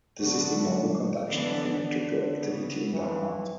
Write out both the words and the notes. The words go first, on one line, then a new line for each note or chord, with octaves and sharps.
This is the normal conduction of electrical activity in the heart.
D3 F#3 B3 D4 F#4
D3 E3 B3 D4
D3
C#3 E3 B3
E3